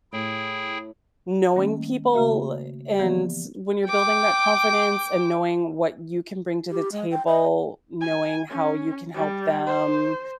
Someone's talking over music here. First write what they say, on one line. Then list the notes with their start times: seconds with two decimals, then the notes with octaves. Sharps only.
knowing people and when you're building that confidence and knowing what you can bring to the table, knowing how you can help them,
0.13 A2 E4 G#4 G5
1.56 D#3 G3 A3 A#3 C#4
2.13 C#3 A3 A#3 F#4 E5 A#5
2.99 E3 F3 A#3 B3 G4 D5
3.86 G5 D6
6.71 G4
6.92 G#3
7.11 G5
7.27 D#5
8.01 G#5
8.49 C#4
9.15 G3
9.67 C5